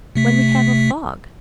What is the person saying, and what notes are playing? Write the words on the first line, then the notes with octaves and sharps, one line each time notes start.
"When we have a fog."
C3 A3 B6